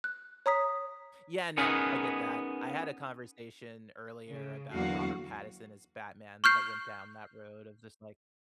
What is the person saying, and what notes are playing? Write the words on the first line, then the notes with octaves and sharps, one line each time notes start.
Yeah, no. I get that. I had a conversation earlier about Robert Pattinson as Batman that went down that road of just, like
F#6
C#5 A#5 D#6 B6
B3 C#4 D#4 G#4 A#4 B4
C#3
E2 D3 F#3 A#3 F#4 F5
C#6 F6 G6 C7